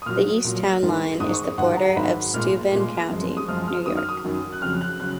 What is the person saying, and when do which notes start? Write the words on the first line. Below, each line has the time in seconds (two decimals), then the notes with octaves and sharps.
The east town line is the border of Steuben County, New York.
0.02 D#6
0.06 A#2 F#3 F6
0.44 A#2 F#3
0.82 G#2 D#3 G#3
1.20 G#2 D#3 G#3 D#6
1.33 C#6
1.58 G#2 D#3 F#3 F#5
1.77 A#5
1.96 G#2 D#3 F#3 B5
2.34 A#2 G#3 F6
2.72 A#2 G#3
3.10 F#2 F3 G#3
3.37 D#6
3.48 F#2 F3 G#3 F6
3.67 F6
3.86 F#2 D#3 F#3 D#6
3.97 F6
4.09 D#6
4.24 F#2 D#3 F#3
4.52 F#6
4.62 F2 C#3 F#3 F6
4.81 F#6
5.00 C#3 F#3 F#6